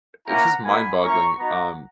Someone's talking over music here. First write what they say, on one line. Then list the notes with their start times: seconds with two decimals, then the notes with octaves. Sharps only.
it's just mind-boggling, um,
0.27 A#3 C#4 E4 F#5 A#5
0.64 A#3 D#4 F#4 G#5 B5
1.01 A#3 C#4 E4 A#5 C#6
1.38 B3 D#4 F#4 F#5 A#5